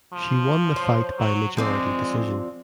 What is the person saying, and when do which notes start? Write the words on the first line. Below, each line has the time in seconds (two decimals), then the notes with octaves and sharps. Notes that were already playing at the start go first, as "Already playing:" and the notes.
She won the fight by majority decision.
0.13 F3
0.76 C5 C#5
1.19 F#3
1.57 F3 G#3 C4 D5